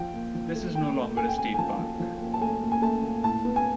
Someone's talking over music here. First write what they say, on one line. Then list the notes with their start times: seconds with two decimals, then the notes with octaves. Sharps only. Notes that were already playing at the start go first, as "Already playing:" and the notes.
This is no longer a state park.
Already playing: F3 G5
0.13 A#2
0.34 F3
0.55 A3
0.75 A#2 G5
0.96 A3
1.16 A3 G#5
1.28 G5
1.38 A#2 G#5
1.54 G#5
1.58 F3 A5
1.79 F3
2.00 F3
2.20 A#2
2.34 A5
2.41 A3 G#5
2.63 A#2
2.72 G#5
2.82 A3 A5
3.03 A#2
3.24 A2 A5
3.45 B3
3.56 G#5